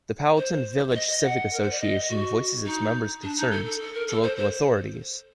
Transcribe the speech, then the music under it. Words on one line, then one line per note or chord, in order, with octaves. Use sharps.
The Powelton Village Civic Association voices its members' concerns to local authorities.
C5
D#5
D#5
F#5
A#4
C5
D5
D#5
F#4
D#4
D4
D#4
A4
A4
A4
A#4
A4
C5
C5